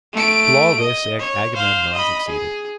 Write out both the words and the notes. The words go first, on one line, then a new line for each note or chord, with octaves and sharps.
To all this Agamemnon succeeded.
A3 D7
D#5
C#5
C5 F5
D#5 B5
G#4